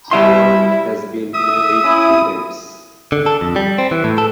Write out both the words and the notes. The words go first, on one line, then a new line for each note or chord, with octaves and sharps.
Howard has been married three times.
G3 E4 E5 C6
E5 D#6
C#4 E4
D3
A4
F2
G3
C4
E3
A2
A4